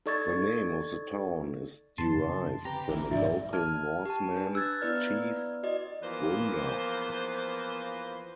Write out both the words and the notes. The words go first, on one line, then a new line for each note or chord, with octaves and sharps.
The name of the town is derived from a local Norsemen chief, Brunder.
D#4 A4 D5 C#6 G#6 A6
F2 F#3 C#4 A5 C6
F#2 C#3
D3 C4 G4 B4 A#5
A1 E3
F1 E2 G#2 F#3 D5 E5
A5 F6 G#6
G4 A5
D4 B4
E6 F#6 G#6 A6
B3 E4 B4 D5 F6
F#4 D5 D#5
E2 F3 A#3 B4 C5